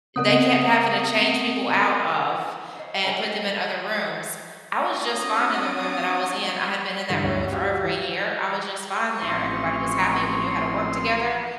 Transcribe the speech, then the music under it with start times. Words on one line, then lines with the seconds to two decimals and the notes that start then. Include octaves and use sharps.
they kept having to change people out of and put them in other rooms. I was just fine in the room that I was in, I had been in that room for over a year, I was just fine there, everybody was happy, we knew how to work together,
0.16 C#3 B3 C4 A#4 F#5 D#6
2.75 C5 C#5 D#5
3.04 G#4 A#4 C5 E5 G5 G#5
3.18 A4 A#4 D#5
4.97 C4 D4 F#4 C#5 D#6 A6
7.10 G2 D3 E3 G3
7.24 D2 G2 C#4 E4 C#5
7.52 F#4 G4 F5
7.84 E3
9.22 A1 F3 C4 D#4 C6 C#6